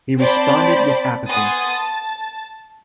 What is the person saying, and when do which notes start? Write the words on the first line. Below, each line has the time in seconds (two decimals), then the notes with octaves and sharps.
He responded with apathy.
0.17 C4 C5 D5 A5 B5
1.29 B3 F#5 G#5 C6 D#6 A6
1.68 A5